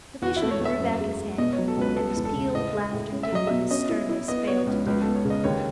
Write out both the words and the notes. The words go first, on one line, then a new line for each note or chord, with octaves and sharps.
The fisherman threw back his head, and his peal of laughter did what his sternness failed to do.
E2 F#4
E4
A3
C#5
E2 E5
F#2
G#3
G#3
B2 D#5
C#5
F#3
A4
C#2 B4
B3 A4
E2
A4
C#3
A2 D#5
G#3
A2
C#4
E5
F#3 D#5
B2 E5
C#4 D#5
E4
E4
B3 D#5
B3 C#5
C#2
C#2
B3 A4
C#5
C#3
D#5
D#2 C#5